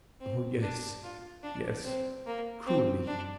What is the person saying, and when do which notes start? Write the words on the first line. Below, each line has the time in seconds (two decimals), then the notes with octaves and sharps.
"Oh, yes, yes, cruelly!"
0.21 C4
0.62 D4
1.03 F4
1.43 D4
1.85 C4
2.26 A#3
2.66 C4
3.07 D4